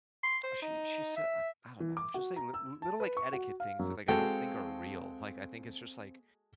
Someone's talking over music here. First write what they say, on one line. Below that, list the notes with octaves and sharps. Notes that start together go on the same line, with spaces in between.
She she said I I don't know, it's just, like, li li little, like, etiquette things, that, like, I don't think are real. Like, I think it's just, like,
C6
C5
D#4
E5
E3
D6
F#4
A#5
E6
A5
B4
C#6
F#4
F5
F#2
G#3 C4 F#4 A4 F5 G5